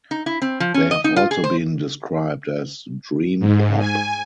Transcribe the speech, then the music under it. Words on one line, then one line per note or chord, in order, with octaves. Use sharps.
They have also been described as dream pop.
D#4
E4
C4
F3
C#4
D#5
D#4
F4
G#4
C5
G#2
G#5